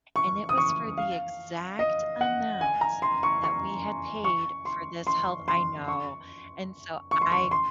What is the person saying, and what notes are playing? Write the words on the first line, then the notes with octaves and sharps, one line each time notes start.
And it was for the exact amount that we had paid for this health I know. And so I
C#6
D#6
C#6
F5
D#5
F#5
G#5
A#5
C6
C#6
C#6
C#6
C6
C6
C6
C#6
C#6
C6
C#6
C6